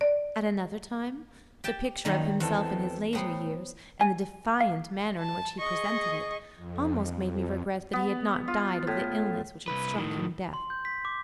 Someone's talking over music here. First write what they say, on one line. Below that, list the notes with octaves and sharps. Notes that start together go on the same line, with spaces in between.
At another time, the picture of himself in his later years, and the defiant manner in which he presented it, almost made me regret that he had not died of the illness which had struck him deaf.
D5
G4 G5 A5
F#2 D#3 G3 A#3 D#4
E2 B3 C4 A4
A2 F#3 B3 C5 G5
G#5
F5
A5
G#4 D#5 C#6
F2
F2
B3
F4
A2
C2 B4
A2 D#3
C6
G6
B6
D6